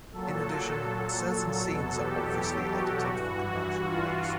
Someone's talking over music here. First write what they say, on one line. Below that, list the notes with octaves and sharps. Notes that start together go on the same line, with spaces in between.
In addition, certain scenes are obviously edited for commercial breaks.
A#2 F#3 A4
E2 B2 F#3 A4
G4
G4
F#4
G2 E3 F#4
F#4
F4